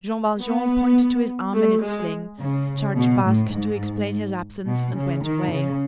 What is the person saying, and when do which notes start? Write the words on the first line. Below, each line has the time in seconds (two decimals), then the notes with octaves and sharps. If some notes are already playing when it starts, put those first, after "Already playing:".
Jean Valjean pointed to his arm in its sling, charged Basque to explain his absence, and went away.
0.40 B3
1.54 A3
1.83 G#3
2.40 C#3
2.97 B2
3.25 A2
3.53 G#2
4.67 B2
4.96 C#3
5.23 D#3
5.52 C#3